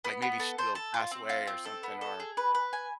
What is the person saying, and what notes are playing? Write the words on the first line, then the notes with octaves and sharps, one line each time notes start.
Like, maybe she'll pass away or something, or,
B3
B3
A4
C5
A4
F4
C4
F4
C4
A4
B3
A4
G#4
B4
B4
G#5